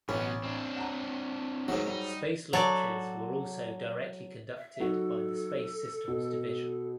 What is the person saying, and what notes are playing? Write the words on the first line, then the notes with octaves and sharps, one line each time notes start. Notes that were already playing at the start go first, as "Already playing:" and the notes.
Space launches were also directly conducted by the Space Systems Division.
A1 B2 F#3 B3 C#4
C4 D4
F#5 A5 A#5
G#2 D#3 F3 F#3 G#3 A3
G3 D#4
F#3 A4 D5
E5
F#3 D#4 F#4 A4
B2